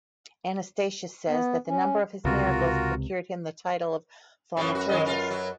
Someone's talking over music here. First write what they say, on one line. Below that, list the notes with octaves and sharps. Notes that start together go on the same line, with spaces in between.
Anastatius says, that the number of his miracles procured him the title of Thaumaturgus.
B3
C#4
C#2 C3 F4 F#4 A#4
F#2 A2 F3 F#3 C#4 B4
F#4
D#3 G#3 D#5
F4 A#4
F#3